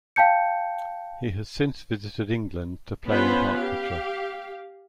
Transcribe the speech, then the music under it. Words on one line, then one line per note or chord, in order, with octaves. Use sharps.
He has since visited England to play in Hertfordshire.
F5 G5 A5 G6 C#7
B3 C#4 F4 B4 C5
G4 F5